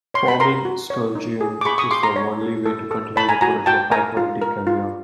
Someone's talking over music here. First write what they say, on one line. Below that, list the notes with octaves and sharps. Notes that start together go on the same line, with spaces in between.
Farming sturgeon is the only way to continue the production of high quality caviar.
C#5 C6
B5
A#4 A#5 C6
F#4
C#5
D#4
G#4
D6
G#4 B5 C#6
C#6 D#6
G#4 C6 D6
A#5 C6
C#5
A4
A4
A4
C#5 A5 B5
G#5 A#5
F#4 G#5 A#5
F#4 G5 A5
A#4 G#5 A#5
F4
A#4
F4